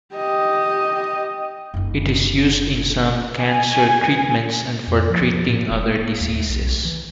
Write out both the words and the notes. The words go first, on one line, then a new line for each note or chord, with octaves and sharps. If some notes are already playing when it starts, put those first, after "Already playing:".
It is used in some cancer treatments and for treating other diseases.
G4 D#5
F#1 D#4
G#5
F2
F3
F3
A2
F1
A#3
D#2
A3
B1
E3